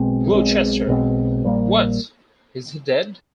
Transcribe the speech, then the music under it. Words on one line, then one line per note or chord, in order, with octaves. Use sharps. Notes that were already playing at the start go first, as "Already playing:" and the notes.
"Gloucester:" What, is he dead?
Already playing: B1 B2 G#3 C4
B1 B2 G#3 C4
B1 B2 G#3 C4
A#1 A#2 G3 A#3